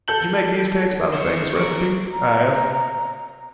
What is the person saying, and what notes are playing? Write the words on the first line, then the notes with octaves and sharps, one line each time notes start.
"Did you make these cakes by the famous recipe?" I asked.
A4 G6 F#7
C5 C#5 C#6
A#4 D5
A#5